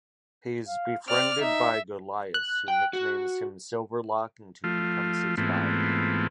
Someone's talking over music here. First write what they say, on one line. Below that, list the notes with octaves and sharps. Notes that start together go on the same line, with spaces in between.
He is befriended by Golias, who nicknames him "Silverlock" and who becomes his guide.
F5
C4 D5 F6
D#4 E5
F#6
G5
F#4
F3 A3 F4
G#2 E3 A3 B3 C4 F4